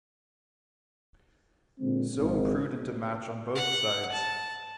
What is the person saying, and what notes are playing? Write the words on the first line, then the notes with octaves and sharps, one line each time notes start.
So imprudent a match on both sides!
A#2 D3 G#3 C4
G#1
F#5
A5